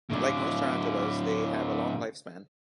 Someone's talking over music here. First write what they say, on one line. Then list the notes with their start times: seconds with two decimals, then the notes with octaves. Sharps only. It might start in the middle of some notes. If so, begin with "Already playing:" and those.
Like most tarantulas, they have a long lifespan.
0.10 A2 D3